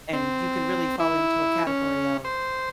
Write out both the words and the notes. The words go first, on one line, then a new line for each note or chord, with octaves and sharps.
And you can really fall into a category of,
C4
E4
C#4
C5